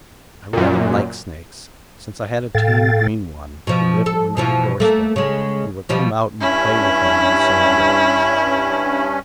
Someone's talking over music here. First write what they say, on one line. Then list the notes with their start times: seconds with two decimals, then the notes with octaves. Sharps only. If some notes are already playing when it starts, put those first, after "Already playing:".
I rather like snakes, since I had a tame green one, who lived under the door-step, and would come out and play with me on sunny days.
0.53 F#2 A#2
2.55 A2 A4 F5 G5 A6
3.67 B2 F3
4.06 A4
4.37 B2 E3 F3
4.80 A3 A#3
5.16 C#3 G#3
5.89 B2 F3 G3
6.41 G2 C#4 E4